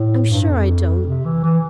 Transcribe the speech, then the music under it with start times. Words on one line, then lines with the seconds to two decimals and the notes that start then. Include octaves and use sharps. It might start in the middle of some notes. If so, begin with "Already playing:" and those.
'I'm sure I don't!
Already playing: A2
0.30 G2
0.50 F2
1.07 C3
1.25 E3
1.44 E3